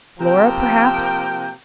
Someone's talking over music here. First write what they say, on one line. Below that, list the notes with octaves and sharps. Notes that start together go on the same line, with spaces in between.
Laura perhaps....'
C3 F3 A#3 A#4 G5